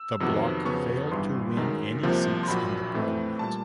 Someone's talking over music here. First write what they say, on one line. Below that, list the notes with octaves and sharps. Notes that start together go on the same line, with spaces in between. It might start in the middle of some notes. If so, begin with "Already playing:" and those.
The bloc failed to win any seats in the parliament.
Already playing: E6
F2 C3 D#3 F#3 B3
F2 C#3 F#3 B3 C#6
G#1 G2 E3 G3 C6
F#2 D#3 G#3
C2 C3 F3 A#3
C6
A#1 A#2 F#3 B5
A2 E3 A3 C4
A#2 G3 A5